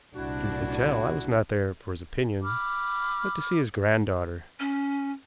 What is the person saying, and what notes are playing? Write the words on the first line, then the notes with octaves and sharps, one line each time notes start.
Truth to tell, I was not there for his opinion, but to see his granddaughter.
C2 A#2 D4 E4 F#4
B5 D6 F6
C#4